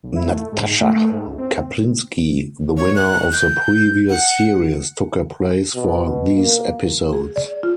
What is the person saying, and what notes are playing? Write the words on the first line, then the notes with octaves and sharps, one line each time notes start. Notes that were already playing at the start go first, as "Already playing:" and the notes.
Natasha Kaplinsky, the winner of the previous series, took her place for these episodes.
B1
E4
A3
G#2
A3
A3
G#2
C#2
C4
C#5
F#6
G6
F#5
B2
A#3
G#4
D5
F4